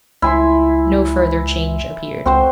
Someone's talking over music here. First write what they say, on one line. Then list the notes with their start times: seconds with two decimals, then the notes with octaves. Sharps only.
No further change appeared.
0.22 C#2 E4 G#5 C6
2.26 C#2 C4 F#4 C5